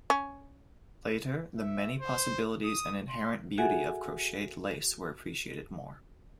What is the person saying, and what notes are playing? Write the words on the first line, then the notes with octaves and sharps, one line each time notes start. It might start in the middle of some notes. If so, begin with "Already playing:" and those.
Later, the many possibilities and inherent beauty of crocheted lace were appreciated more.
C#4
E5
C5
D#6
C6
F#4 G#4 A4 E5 F#5 G#5